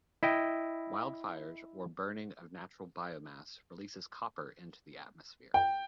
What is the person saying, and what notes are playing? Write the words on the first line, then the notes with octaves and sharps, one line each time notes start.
Wildfires or burning of natural biomass releases copper into the atmosphere.
E4 D#5 G5
G5